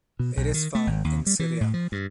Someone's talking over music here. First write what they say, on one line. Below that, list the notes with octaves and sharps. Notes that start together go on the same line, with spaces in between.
It is found in Syria.
B2
B1
D#3
A3
G#1
D#2
G3
E3
A2
F3
G2